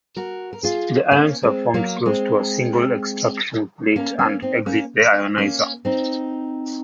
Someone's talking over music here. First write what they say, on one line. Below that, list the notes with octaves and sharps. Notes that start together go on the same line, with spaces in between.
The ions are formed close to a single extraction plate and exit the ionizer.
F#4 A#4
A#4
F4 G#4
A#3 C#4
G#3 C4
F#3 A#3
G#3 C4
A#3 C#4
A#3 C#4
C4 D#4
A#3 C#4
A#3 C#4
C4 D#4